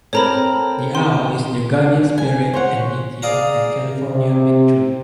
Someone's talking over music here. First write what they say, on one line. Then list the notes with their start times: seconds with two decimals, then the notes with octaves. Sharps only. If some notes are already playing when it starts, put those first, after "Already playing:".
The owl is the guardian spirit and deity of the California big tree.
0.13 C4 A4 A#4 C#5 A#5 B5
0.95 C6
2.18 G#5
2.54 C5 C#5 F#5
3.22 G#4 D5 F5 A#5
4.02 C3